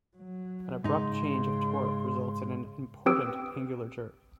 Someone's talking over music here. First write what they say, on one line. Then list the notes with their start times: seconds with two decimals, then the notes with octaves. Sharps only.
An abrupt change of the torque results in an important angular jerk.
0.16 F#3
0.84 G#2 C#3 D#4 C6
3.06 C4 G4 B4 D#6 E6 D7